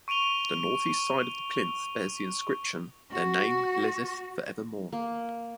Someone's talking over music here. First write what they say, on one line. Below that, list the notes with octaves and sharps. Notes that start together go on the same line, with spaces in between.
The northeast side of the plinth bears the inscription "Their name liveth for evermore".
C#6 D7 D#7 F7 G7
F#4
A#3